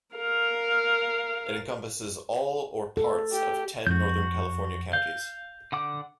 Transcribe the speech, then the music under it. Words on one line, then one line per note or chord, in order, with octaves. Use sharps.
It encompasses all or parts of ten Northern California counties.
A#4 F5
A4
G4
F2 F#4 G6
F5 G6
D3 F#5 D6